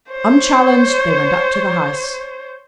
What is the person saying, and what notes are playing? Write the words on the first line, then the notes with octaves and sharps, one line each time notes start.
Unchallenged they went up to the house.
C5 C#5